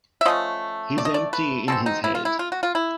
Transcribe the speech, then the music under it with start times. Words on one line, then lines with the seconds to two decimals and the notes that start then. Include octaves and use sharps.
He's empty in his head.
0.21 E5
0.25 F3 A3 C#4 D#5
0.98 D5
1.05 D#5
1.14 D5
1.33 B4
1.68 B2 G#3 C4 A4
1.86 D#4
2.04 E4
2.15 F4
2.25 E4
2.39 F4
2.52 F#4
2.63 F4
2.75 E4